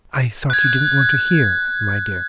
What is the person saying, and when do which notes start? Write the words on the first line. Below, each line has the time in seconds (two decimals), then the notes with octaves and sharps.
'I thought you didn't want to hear, my dear.
0.50 F#6 G#6